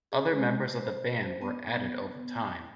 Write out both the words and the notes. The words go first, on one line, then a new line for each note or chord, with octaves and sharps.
Other members of the band were added over time.
G#4
G#3
C5
B3